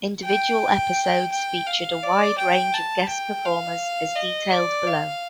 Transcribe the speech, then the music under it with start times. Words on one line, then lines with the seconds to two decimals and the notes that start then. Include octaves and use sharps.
Individual episodes featured a wide range of guest performers, as detailed below.
0.25 G5
1.32 G5
1.67 F5
2.03 D5
2.38 G5
2.74 A5
3.09 G5
3.45 F5
4.16 D#5
4.52 D5
4.87 F5